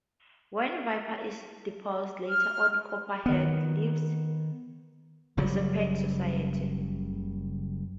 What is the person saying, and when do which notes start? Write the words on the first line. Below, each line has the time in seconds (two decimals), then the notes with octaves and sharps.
When Viper is deposed later on Copperhead leaves the Serpent Society.
2.28 F6
3.26 D#3 B3
5.37 F#1 C#3 F#3 G3